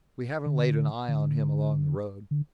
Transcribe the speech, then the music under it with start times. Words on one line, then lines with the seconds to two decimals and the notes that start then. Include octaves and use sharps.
We haven't laid an eye on him, along the road.
0.46 D3
1.08 D3
2.31 D3